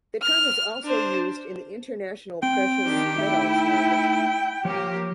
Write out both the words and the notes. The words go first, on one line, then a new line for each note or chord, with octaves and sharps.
The term is also used in the international precious metals market.
F6
D4 C5
C4 G5
D#3 D4 G4
A3 D#4 E4 E5
F3 A#3 G4 C#5